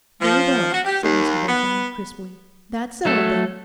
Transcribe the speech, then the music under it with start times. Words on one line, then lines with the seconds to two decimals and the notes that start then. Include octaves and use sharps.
'Very well,' said Mr Bethany crisply, 'that's settled, then.
0.21 F3
0.72 F#4
0.85 G4
1.03 D#2
1.49 B3
3.05 F#3 A3 A4